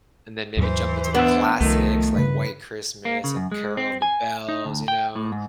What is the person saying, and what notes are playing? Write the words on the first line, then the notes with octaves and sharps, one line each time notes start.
and then maybe jump into the classics like White Christmas and Carol of the Bells, you know.
D#2 G#2 E3 F#3 C5
B3 D4 D5 E5
C2 D#3 F3 A3
G2 C#3 B4
A#3
C#3
F#2
G#3
C4
G#5
D#4
D2
G5
A2
G#2